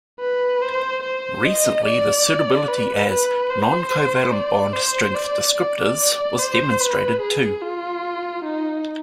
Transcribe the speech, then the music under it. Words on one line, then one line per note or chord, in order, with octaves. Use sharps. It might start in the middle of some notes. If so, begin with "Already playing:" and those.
Recently, the suitability as non-covalent bond strength descriptors was demonstrated too.
B4
C5
C5
D#5
D5
B4
B4
C5
D5
C5
D5
D5
C5
B4
G#4
F4
D#4